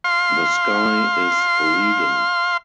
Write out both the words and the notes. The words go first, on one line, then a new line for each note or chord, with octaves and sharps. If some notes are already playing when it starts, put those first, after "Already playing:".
The sky is leaden.
F5 C6